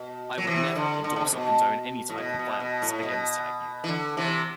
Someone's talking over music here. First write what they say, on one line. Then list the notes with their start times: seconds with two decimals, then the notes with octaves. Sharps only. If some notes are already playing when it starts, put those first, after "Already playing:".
I would never endorse or condone any type of violence against our youth.
Already playing: B2
0.38 F#3
0.47 C3 E3
0.75 D3
1.04 D3
1.16 D3
1.24 C3
1.33 B2
2.10 A2
2.18 B2
2.39 B2
2.60 B2
2.82 A2
3.03 B2
3.84 E3
3.88 D3
4.17 C3 E3